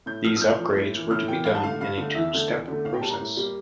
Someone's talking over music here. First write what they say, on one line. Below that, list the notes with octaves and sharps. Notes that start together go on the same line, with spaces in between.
These upgrades were to be done in a two-step process.
A2 G6
F3 A#3 F6
F6
A2 G6
F3 A#3
A2
E3 A#3
A2 F6
E3 A#3 G5
G2 F5
A5
D3 A3 F5
G2 F5
D3 A3
E2 E5
D3 A3
E2
D3 A3
A2 F5
G5
G3 A#3 A5
A#5
A2
G3 A#3